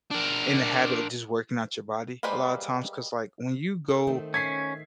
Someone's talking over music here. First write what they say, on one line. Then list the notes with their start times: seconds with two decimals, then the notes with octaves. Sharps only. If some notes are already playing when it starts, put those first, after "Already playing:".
in the habit of just working out your body, a lotta times 'cause, like, when you go
0.11 D4 A#4
2.23 G3 G#3 A#3 B4 C5
3.89 A4
4.07 D#3 A3 C4
4.34 C#4 G#6 B6 C7